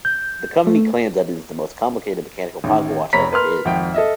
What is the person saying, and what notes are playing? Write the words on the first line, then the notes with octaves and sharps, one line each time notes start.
The company claims that it is the most complicated mechanical pocket watch ever created.
G6
A3
A1 D#3
F1 C#5 A#5 B5 B6
A#4 B4 C6 F6
G#1 F2 F#5 G5
A4 D#5 E5